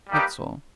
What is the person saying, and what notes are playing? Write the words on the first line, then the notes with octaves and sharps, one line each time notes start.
That's all.'
G3 A#3 D#4 G4 B4